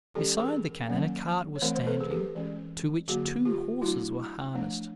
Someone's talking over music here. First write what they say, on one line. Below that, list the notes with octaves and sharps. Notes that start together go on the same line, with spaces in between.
Beside the cannon a cart was standing to which two horses were harnessed.
E3 G#3 C#4 G4 A4
G#4 A#4
D#3 F#3 A#3 C#4
C#5
E3 A3 C4 A#4 C5
C5
A4 B4
G#4
G4 A4
E3 G#3 C#4
D3 F#3 A#3 F#4 G#4
F4 G4
F#3 A3 D4 E4 F#4
F3 A3 D4